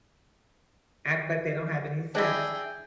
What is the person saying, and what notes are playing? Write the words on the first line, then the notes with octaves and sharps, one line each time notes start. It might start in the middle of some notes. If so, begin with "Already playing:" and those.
act like they don't have any sense.
D4 E4 G#4 G5